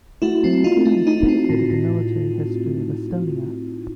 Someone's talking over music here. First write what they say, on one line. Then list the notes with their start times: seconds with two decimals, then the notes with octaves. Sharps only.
The museum is dedicated to military history of Estonia.
0.22 A3 E4 F#4
0.44 C4
0.64 C4 D#4 F4
0.86 A3
1.07 A3 D#4
1.28 C4
1.50 A2
1.70 A2